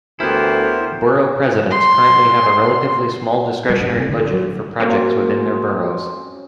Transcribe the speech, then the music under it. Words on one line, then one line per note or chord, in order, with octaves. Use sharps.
Borough presidents currently have a relatively small discretionary budget for projects within their boroughs.
D2 B3 E4 G4 A#4 C5
C6
G3
G2
C3
D3
F#3
F#3 A#3 C4 C#4